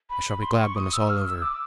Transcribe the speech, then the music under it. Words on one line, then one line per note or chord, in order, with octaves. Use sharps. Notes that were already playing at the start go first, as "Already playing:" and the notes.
I shall be glad when it's all over.
B5
C6
C#6
D#6
E6
F6
E6
D6